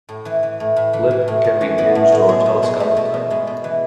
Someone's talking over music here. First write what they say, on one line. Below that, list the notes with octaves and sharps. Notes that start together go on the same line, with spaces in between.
Lip can be hinged or telescopic type.
A2
E3
E3
A2
A2
E3
E3
A2
A2
E3 C#4
E3 B3
A2 A3
A2 A3
B2 G#3
B2
B2 G#3
B2 A3
B2
B2
B2 G#3
B2
E3